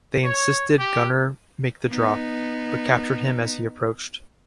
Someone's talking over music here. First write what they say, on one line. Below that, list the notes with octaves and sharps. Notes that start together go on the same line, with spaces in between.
They insisted Gunnar make the drop, but captured him as he approached.
C#5
G4
B3 D#4